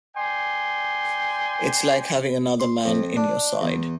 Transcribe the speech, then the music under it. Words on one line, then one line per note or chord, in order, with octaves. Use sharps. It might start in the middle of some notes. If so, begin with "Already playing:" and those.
It's like having another man in your side.
D5 G5 G#5 C6
C6
F2
D4
E2